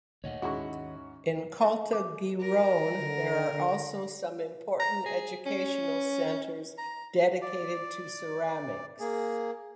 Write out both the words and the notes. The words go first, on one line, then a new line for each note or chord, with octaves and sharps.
In Caltagirone there are also some important educational centers dedicated to ceramics.
D2 A#2 D#3 C#5 D#5 F#5
D#2 G#2 D#3 G#3 C#4 E4 F#4 C#6
E5
D6
A#4
D3
A#5
G#4
C#4
A#5
D5
A#3 G#4